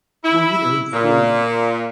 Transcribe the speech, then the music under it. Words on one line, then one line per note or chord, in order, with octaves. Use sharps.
well, you know, so
E4
A#2